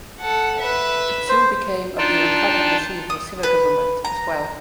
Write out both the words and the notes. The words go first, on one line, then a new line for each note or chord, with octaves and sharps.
It soon became a bureaucratic machine for civil government as well.
A4 F#5
B4 E5
C5
D4 D#4 F4 D5 G5 A5
D#6
B4
A#5